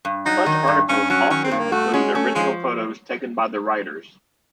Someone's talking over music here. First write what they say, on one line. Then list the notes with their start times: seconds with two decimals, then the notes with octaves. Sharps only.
Such articles often include original photos taken by the writers.
0.05 G2
0.26 F#3 D#4
0.46 D#3
0.68 G2
0.89 G2 C#4
1.10 F#3 C#4
1.30 D#3 C#4
1.44 C4
1.51 G2
1.59 A#3
1.72 A3 F#4
1.94 G#3 C#4
2.14 A3 C#4
2.35 F3 G#3